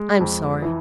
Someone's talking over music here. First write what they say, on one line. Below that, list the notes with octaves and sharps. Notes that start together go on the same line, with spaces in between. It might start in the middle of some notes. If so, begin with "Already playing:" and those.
I'm sorry.
Already playing: G#3
F2
E3